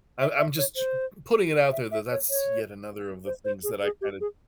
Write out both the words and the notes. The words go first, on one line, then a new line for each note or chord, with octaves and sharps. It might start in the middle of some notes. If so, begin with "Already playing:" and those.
I'm I'm just putting it out there that that's yet another of the things that I kinda
E5
E5
C#5
C5
E5
E5
C#5
C#5
C5
C5
G#4
G#4
G4
G#4